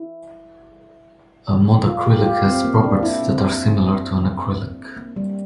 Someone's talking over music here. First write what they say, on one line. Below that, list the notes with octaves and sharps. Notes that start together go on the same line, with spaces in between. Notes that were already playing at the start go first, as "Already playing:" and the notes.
A modacrylic has properties that are similar to an acrylic.
Already playing: E4
F4
G4
G4
F4
C4
A#3
D4
E4
C4
A#3
G3